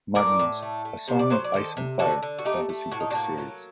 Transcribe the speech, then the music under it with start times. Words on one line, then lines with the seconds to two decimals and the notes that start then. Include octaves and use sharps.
Martin's "A Song of Ice and Fire" fantasy book series.
0.15 A2 A#4 D5
0.39 A2
0.62 A3
0.85 A3
1.08 C3 C5
1.19 D5
1.30 F#3 C5
1.44 D5
1.54 D#3 A4 C5
1.77 C3
1.99 D3 F#4 A4
2.23 D3
2.39 F#4
2.45 A3 D#4 G4
2.69 A3
2.91 A2 F#4
3.00 D#4
3.10 A#3 D4 F#4
3.38 F#3